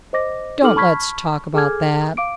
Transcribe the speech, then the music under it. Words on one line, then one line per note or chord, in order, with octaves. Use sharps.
Don't let's talk about that.
C5 D#5 D6 A#6
D#4 G4 A4 D6 F6 F#7
A5 B5 C#6 F6 G#6 B6
G#4 A4 G#5 D6 F6 G#6
F5 D6 D7